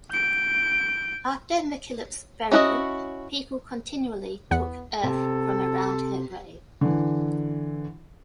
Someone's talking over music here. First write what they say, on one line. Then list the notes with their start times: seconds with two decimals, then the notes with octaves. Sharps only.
After MacKillop's burial, people continually took earth from around her grave.
0.11 G6 D7
2.52 C#4 E4 F#4 A#4 D#5
4.51 E2 B3 F#5
5.03 C3 A4
6.81 D3 E3